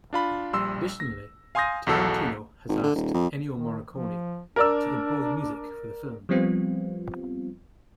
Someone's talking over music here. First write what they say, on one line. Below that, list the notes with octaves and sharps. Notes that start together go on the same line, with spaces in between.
Additionally, Tarantino has asked Ennio Morricone to compose music for the film.
D4 F4 B5
A#1 G3 C6 E6
A#6
F5 G#5 C6 D#6 G6 A#6
B1 E2 F#4 A4 E6
G#1
D3
D#1
F2
D#3
F3
D4 A#4 D5 E6
F3 G3 B3 C4 F4